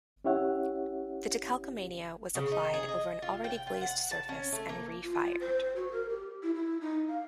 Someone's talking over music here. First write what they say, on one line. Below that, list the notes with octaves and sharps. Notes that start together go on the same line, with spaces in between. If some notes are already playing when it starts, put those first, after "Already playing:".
The decalcomania was applied over an already-glazed surface and re-fired.
C#4 E4 G4 C#5 E5 F#5
C#3
D#4
G#4
D#5
F4
G5
F4
F#5
A5
C#4
A3
A#3
F4
C5
F#4
A#4
G4
E4
E4
D#4
F5